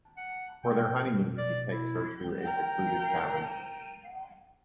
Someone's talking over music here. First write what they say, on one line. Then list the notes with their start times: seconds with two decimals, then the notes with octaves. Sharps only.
For their honeymoon, he takes her to a secluded cabin.
0.17 F#5
0.64 B2 G5
1.38 D5
1.71 E4
2.43 A#4 G5